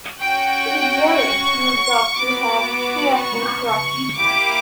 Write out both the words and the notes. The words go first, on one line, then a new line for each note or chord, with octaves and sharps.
To be jealous you've got to have a fearful crush.
C#4 F#4 G5
C#6
B3 F#4 D6
C#6
C#6
A#3 E4 G4 D6